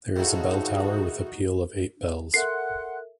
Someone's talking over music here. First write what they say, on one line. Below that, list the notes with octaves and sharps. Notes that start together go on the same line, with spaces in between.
There is a bell tower with a peal of eight bells.
A2 D3 D#3 F3 F#3 D#4 F#4 G#4
A4 A#4 E5 F#5 C6 F#6 C7